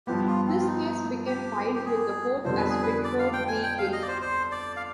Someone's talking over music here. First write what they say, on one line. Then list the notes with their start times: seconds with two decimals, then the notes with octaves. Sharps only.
This case became filed with the court as Whitford v Gill.
0.07 G2 F3 B3 G4
0.27 F4
0.47 C4
0.60 F4
0.66 D#4
1.26 G4
1.75 G4
1.86 G#4
2.45 F2 D3 G3 B3 C5
2.57 B4
2.70 G#4
2.83 B4
3.04 D5
3.19 F5
3.33 G5
3.48 G#5
3.63 G5
3.78 F5
3.93 D#5
4.02 D5
4.08 C5
4.22 C5
4.52 D5
4.76 F5